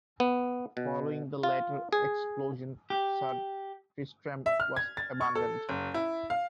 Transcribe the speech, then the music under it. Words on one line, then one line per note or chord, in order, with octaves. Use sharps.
Following the later explosion, "Sir Tristram" was abandoned.
B3
B2
F4
G#4
G4
E5
F6
G#6
A6
C#6
A4
F#1
E4
F5